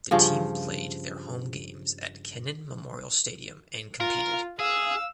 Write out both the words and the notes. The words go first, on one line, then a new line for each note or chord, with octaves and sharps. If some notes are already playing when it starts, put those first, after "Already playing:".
The team played their home games at Kenan Memorial Stadium and competed.
G2 C#3 F3
F4 A#4
G#4 F5 E6